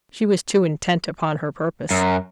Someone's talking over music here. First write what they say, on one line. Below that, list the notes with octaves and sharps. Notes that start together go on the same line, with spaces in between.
She was too intent upon her purpose.
F#2